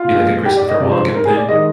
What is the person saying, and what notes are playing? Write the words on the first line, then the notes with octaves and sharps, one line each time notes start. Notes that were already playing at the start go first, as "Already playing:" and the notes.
be like a Christopher Walken thing.
Already playing: F4
A#2 F3 G#3
G4
D5
D#5
C3 F3 G#3 D5
C5
A#4
G#4
D5
D#3 G#3 D#5